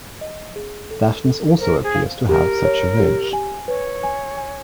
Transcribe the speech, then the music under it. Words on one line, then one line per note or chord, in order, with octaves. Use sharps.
Daphnis also appears to have such a ridge.
D#5
G#4
A4
A4
A#4 C5
G#4
F5
G4 A#4
C#5
G4
G#5
B4 C#5
G#5
G#5